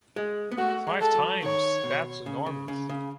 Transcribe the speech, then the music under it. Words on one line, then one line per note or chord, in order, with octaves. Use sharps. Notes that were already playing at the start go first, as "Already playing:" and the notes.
Five times? That’s enormous!
G#3
B3
A3 F#4
G#3
A4
F#3
D#3 C#5
B2
C#3
C#3
C#3
C#3